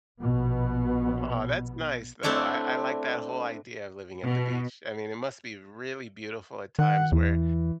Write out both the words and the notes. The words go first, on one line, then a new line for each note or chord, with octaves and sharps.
Aw, that's nice, though, I I like that whole idea of living at the beach. I mean, it must be really beautiful at times where,
A#1 B2 B3
A3 C4 D4 E4 C#5
B2
D#3 F#5
E2 E3